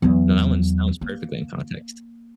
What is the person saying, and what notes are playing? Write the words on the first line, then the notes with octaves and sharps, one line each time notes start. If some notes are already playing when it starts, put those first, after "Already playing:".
No, that one's that one's perfectly in context,
E2 F#3
A#3